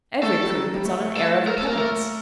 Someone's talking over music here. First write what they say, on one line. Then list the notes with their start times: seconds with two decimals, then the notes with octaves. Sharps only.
Every prude puts on an air of repugnance.
0.23 A3 A4
0.33 A3
0.43 G3
0.54 F#3
0.64 F#3
0.75 G3
0.85 A3
1.01 A3
1.17 A4
1.47 A#4
1.58 A4
1.68 A#4
1.72 A#3
1.78 A3 A#4